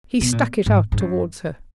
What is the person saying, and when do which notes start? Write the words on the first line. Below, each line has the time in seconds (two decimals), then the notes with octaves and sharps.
He stuck it out toward her.
0.21 B2
0.32 A#2
0.66 G#2
0.92 G#2
1.00 F#2